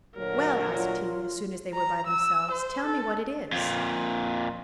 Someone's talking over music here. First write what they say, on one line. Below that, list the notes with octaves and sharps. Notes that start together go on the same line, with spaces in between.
"Well," asked he, as soon as they were by themselves, "tell me what it is?"
D2 A#2 F#3 A#4
F4
A#5
E6
C5
A4
F2 A#2